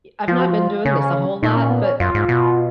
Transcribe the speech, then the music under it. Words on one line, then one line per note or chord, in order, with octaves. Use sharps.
I've not been doing this a whole lot, but
F3 F4
F#4
F4
C#3 C#4
A#2 D#4
C#4
B3
C#4
F#2 F4
G#2
B2